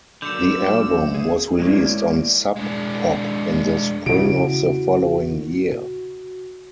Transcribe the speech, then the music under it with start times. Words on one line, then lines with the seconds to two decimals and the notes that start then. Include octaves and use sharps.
The album was released on Sub Pop in the Spring of the following year.
0.22 D3 F#3 A#3 E6 G6 C#7
1.14 G#4
1.59 F#3 G#3 A#3 E4 C#5 D5
2.56 G#3 D4
4.06 E2 A#2 C#3 E4 F#4 D7